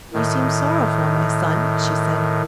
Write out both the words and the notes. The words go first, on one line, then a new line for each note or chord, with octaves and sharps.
'You seem sorrowful, my son,' she said.
A2 D#3